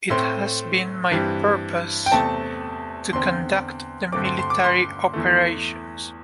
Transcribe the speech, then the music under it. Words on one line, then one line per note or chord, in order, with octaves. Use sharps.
It has been my purpose to conduct the military operations.
A2 A3 C4 C6
G2 E3 G3 C4
G5
E2 C3 A3 C4 A5
E2 D3 C4 C6
G2 D3 A3 C4 D6
C6
C6
D6
C6
E2 E3 A3